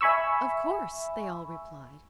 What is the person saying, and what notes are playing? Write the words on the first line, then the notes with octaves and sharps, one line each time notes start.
"Of course," they all replied.
E5 G#5 B5 C#6 E6